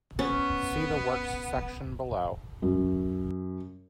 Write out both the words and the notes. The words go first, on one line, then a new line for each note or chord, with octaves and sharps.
See the Works section below.
B3 C#4
F#2